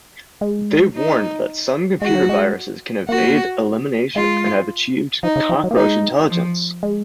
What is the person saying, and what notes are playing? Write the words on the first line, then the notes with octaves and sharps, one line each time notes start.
They warned that some computer viruses can evade elimination and have achieved cockroach intelligence.
G#3
D#4
G#3 F#4
F#3
G#3
A#3 F#4
G#3 F4
F3 D#4
C#3
F3
F#3
A#3
G#3 D#4
F3
G#3